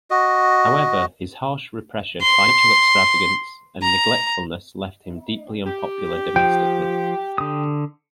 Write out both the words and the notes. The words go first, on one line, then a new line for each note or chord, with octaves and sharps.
However, his harsh repression, financial extravagance and neglectfulness left him deeply unpopular domestically.
F#4 D#5
C6
A#5
G4
F3 G5
D3 D#6